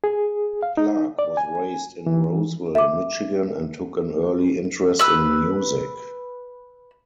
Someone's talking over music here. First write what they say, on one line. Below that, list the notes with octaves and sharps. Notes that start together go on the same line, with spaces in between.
Clark was raised in Roseville, Michigan, and took an early interest in music.
G#4
F5
D#4
D5
G#5
E3
E5 D6
B4 E6